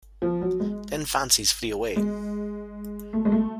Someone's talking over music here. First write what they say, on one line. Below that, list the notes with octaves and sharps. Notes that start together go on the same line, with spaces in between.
Then fancies flee away!
F3
F#3
G#3
G#3
A3
G#3
A3